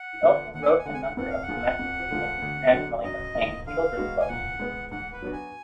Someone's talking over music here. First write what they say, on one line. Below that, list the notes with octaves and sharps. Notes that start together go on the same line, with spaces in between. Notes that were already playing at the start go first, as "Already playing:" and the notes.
He also wrote a number of domestically and internationally acclaimed children's books.
Already playing: F#5
D3 F3 B3
D#2 F#5
G#5
F#5
G#5
D3 G#3 F#5 G#5
F#5
F2 F#5
F5
F#5
F3 A#3 F4 G#4
F2
D3 F3 G#3
D2
D3 F#3 D4
F#2 D#5
D3 F3 A#3
D3 F5
G#3 B3 D#4 F#4
G#5
A#2 F#5
G#3 B3
G#2 F#5
B4
F#3 B3 D4 F#4
G#5